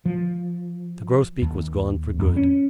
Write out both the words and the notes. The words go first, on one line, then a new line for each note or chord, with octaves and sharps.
The grosbeak was gone for good.
F3
D#2
F2
C#4